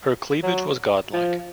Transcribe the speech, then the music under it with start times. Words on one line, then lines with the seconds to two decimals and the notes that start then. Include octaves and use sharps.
Her cleavage was godlike.
0.43 F#3
1.13 F3